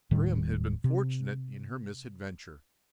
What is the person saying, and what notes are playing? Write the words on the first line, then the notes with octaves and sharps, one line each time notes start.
Grim had been fortunate in her misadventure.
D#1 A2 D#3 G3
C3